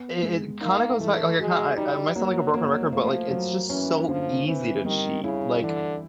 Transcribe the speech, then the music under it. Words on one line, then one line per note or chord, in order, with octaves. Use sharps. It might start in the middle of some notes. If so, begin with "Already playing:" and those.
it it kinda goes back okay, ki I I might sound like a broken record, but, like, it's just so easy to cheat, like,
Already playing: B3
G#3
A#3 D#4
E3 A3
G#3 F#4
G3 D#4
F#3 A#3
F#3 A#3
F3 A3
F#3
E3 C#4
D3 F3
E3 C4
D#3 G3
C#3 E4
D3 E3